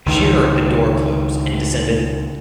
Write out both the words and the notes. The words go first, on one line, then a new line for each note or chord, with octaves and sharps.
She heard the door close, and descended.
C#2 D#3